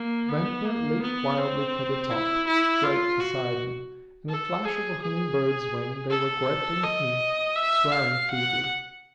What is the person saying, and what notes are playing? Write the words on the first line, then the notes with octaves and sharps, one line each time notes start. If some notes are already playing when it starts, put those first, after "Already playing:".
Ventnor leaped wildly for the top, Drake beside him; in the flash of a humming-bird's wing they were gripping me, swearing feebly.
Already playing: A#3
B3
A#3
B3
C4
E4
E4
F4
F#4
A4
G#4
G#4
A4
D#5
E5
F5
F#5